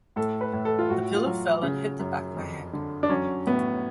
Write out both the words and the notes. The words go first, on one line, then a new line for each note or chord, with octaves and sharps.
The pillow fell and hit the back of my hand.
A2 A4
B4
A2
A4
F4
A2 F#4
F4
F#3
C#3
F#2
F2
D3
D4
F#3 C#4
A2 B3